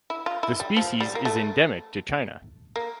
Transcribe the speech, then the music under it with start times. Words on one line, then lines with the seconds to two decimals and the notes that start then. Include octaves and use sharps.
The species is endemic to China.
0.10 E4
0.26 F4
0.43 E4
0.60 G3
0.76 F3
1.00 G3
1.15 A#3
1.25 A3
2.76 A#3